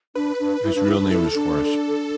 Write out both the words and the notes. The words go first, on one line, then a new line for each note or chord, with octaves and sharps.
His real name is Horace.
D4 B4
D4
E4
D4
E4
D4
E4 A4
D4